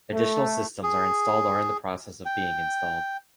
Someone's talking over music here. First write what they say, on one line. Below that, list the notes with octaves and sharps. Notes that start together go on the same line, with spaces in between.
Additional systems are installed or in the process of being installed.
A3
G#4
G5